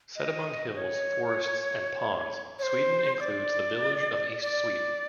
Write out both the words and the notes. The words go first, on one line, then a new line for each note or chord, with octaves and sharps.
Set among hills, forests and ponds, Sweden includes the village of East Sweden.
D#5
C#5
C#5
C5
D5
D5